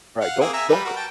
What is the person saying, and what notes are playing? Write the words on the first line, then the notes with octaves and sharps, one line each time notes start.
Right, don't don't c
F5 F#5
A#3 C4 G#4
E5 G#5 A#5
G3 B4
F#4 A#4
G5 A5